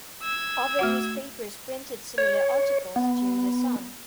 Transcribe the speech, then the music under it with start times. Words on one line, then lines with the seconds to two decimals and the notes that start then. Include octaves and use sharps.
Other newspapers printed similar articles to "The Sun".
0.23 E6 G#6
0.79 A3 F#4 F#5
2.18 C#5
2.96 B3